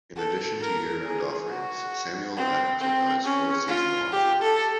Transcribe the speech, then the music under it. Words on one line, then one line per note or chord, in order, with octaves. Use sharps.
In addition to year-round offerings, Samuel Adams also has four seasonal offerings.
A4
A#4
G#4
F#4
C4
C4
C#4
F4
G4
A4